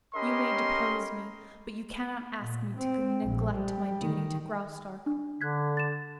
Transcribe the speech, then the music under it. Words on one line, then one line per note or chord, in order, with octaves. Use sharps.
You may depose me, but you cannot ask me to neglect my duty to Graustark.
C#4 G4 A#4 D#5 B5 C6
A#2
C4
A#1
G3
D#3
D4
D3 F#6 G#6 B6
A6 E7